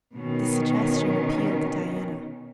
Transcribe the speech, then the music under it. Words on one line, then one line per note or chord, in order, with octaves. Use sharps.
The suggestion appealed to Diana.
B2 D#3 C#4